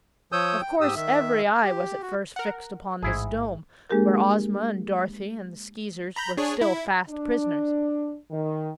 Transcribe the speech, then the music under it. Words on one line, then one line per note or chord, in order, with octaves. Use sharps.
Of course every eye was at first fixed upon this dome, where Ozma and Dorothy and the Skeezers were still fast prisoners.
F3 C#5 D#6 E6 G6
G5
G#2 G4 D#6 E6
D#3 E5
G4
F#4
A#4 F#5
A1 G#2 E4 G#4
G#3 A#3 D4 G4 G#4 A#4
A#5 B5 G6
D4 G#4 C#5
E4
D4
D#3